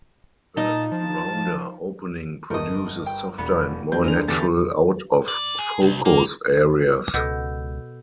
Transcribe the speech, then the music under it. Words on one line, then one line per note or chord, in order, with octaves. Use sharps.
A rounder opening produces softer and more natural out-of-focus areas.
A#2 D#4 A5
F3 A5
G1 A3 A#4 D#5
G5
E1 B3
F#3 C4 G6
D2 E3 D4 G#4 A#4 F7
E2 D3 E3 G4 A4 A6
G2 D5
G#4
C2
A#3
C#2 B2 A4 E6 G6